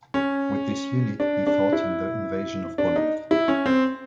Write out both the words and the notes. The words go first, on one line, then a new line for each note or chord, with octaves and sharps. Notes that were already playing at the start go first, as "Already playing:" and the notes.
With this unit, he fought in the Invasion of Poland.
C#4
D4
D4
E4
D4
D#4
E4
C#4
C4